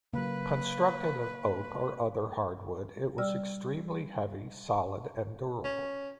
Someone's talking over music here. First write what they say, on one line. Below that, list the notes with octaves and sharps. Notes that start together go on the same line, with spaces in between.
Constructed of oak or other hardwood, it was extremely heavy, solid, and durable.
C#3 F#3 A#3 B4
G3 D5 E6 F6
C#4